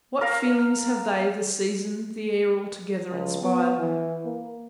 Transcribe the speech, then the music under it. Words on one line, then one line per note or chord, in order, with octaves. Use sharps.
What feelings have they, the season, the air altogether inspired!
A#4 F5 A#5
C#2
B3
E3
A#3